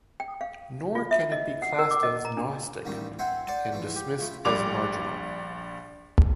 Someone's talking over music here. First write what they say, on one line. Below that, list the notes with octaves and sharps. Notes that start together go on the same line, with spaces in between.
Nor can it be classed as "gnostic" and dismissed as marginal.
G5
F5
F4
E5
D#5
F#5
A#4
D6
D#5
A#5
D4
A1 D#3 G3 A3 F4
C4 C5 E5 F#5 G#5
C5 D5 F#5 A5
E3 F3 A3
G4
F3 A3 B5
A#1 G3 D6 F7